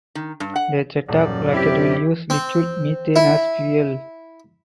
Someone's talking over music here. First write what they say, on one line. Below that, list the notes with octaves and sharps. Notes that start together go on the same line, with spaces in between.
The Chetak rocket will use liquid methane as fuel.
D#3
G2
F#5
D#1 F#2 D5
C3 E4 G4
C4
E4